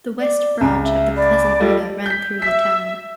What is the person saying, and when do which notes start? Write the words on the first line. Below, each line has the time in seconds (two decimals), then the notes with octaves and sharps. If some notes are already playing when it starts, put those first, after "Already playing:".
The West Branch of the Pleasant River ran through the town.
0.20 D5
0.61 C#2 A#5
0.84 E5
1.17 D5 B5
1.60 G3 F4 A4 D#5
2.06 G6 B6
2.42 E5 B6